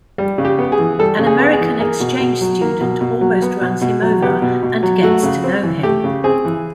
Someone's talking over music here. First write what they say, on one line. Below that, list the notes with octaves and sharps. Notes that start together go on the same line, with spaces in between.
An American exchange student almost runs him over and gets to know him.
G3
C#3
G4
B3
G#4
E3
G3 A4
C#3
G#4
B3
G#4
E3
A#3 G#4
B2
B2
F#3
A#3
B2
B2
F#3
B3
B2
B2
F#3
B3 G4
B2
B2
F#3
A3 F#4
C#3
C4
E3
A3 G4
C#3
C4 G#4
E3